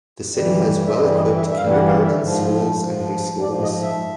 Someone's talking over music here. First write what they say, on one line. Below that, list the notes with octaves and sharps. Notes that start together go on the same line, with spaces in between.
The city has well-equipped kindergartens, schools and high schools.
G2 E3 G3
E5
G2 E3 G3 D#5
D#5
E5
E5
G2 E3 G3 F5
F#5
F5
E5
G#2 F3
G#2 F3
G#2 F3 D5
D#5
E5